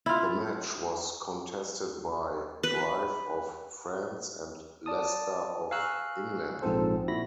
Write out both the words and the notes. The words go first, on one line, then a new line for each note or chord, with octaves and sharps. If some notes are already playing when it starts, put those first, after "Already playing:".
The match was contested by Brive of France and Leicester of England.
E4 F4
B4
D5 A5 D#6
F5 G#5 A#5 C#6 E6 F#6
A#1 G#2 F3 C4 A4 C5
A#2 E4 F#4 B5 A#6